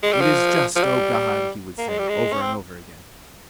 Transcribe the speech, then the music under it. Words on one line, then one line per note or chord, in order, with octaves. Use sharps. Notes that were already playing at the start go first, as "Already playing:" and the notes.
"It is just, O God!" he would say, over and over again.
G#3
G3
F3
F3
G3
A#3
G#3
G3
G#3
C#4
C4